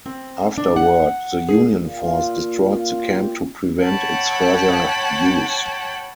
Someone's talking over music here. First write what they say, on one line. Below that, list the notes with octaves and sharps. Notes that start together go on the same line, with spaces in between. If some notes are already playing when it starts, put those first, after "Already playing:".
Afterward, the Union force destroyed the camp to prevent its further use.
C4
D4
F#5
G#4
A#2
F4
A#2
F4
G4
C#5 F#5 G5 A5 B5